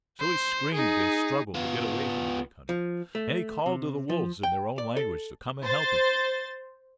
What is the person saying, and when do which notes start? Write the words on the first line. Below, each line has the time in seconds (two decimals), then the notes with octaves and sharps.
So he screamed and struggled to get away from the big hunter, and he called to the wolves in their own language to come and help him.
0.20 C5
0.74 D#4 G#4
1.55 B3 F4
2.69 F3
3.15 A3
3.66 C3
4.10 F3
4.43 G5
4.78 D5
4.97 A4
5.62 C5 A6